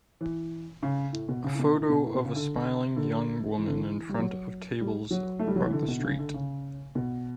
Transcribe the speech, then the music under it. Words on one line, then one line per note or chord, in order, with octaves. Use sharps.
A photo of a smiling young woman in front of tables on the street.
E3
C#3
A2
B2
C#3
A2
B2
A2
B2
A2
B2
C#3
D3
D3
E3
D3
E3
G3
F#3
G3
F#3
A3
G3
F#3
E3
D3
A2
B2
D3
C#3
D3
C#3
B2